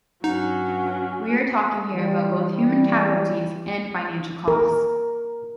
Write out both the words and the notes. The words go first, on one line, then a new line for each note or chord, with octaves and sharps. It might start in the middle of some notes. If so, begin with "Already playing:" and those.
We are talking here about both human casualties and financial costs.
G2 F#3 C#4 D#4 F#5
E3 G3
A#4